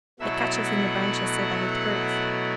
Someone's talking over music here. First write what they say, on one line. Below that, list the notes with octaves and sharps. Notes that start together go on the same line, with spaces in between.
"It catches in the branches so that it hurts."
B2 F#3 A3 E4 E5
F#5